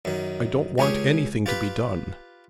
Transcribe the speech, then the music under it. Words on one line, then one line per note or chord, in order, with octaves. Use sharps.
I don't want anything to be done.
F#2 D#3
C#2 C#4 G4 G#4
F4 G4 B4